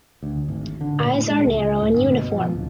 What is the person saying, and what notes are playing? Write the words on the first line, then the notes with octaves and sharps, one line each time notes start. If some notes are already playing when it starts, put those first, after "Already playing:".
Eyes are narrow and uniform.
D2
G#1
D3
A#2
A2
G#3
C#2
A2
G1
B2
F3
D1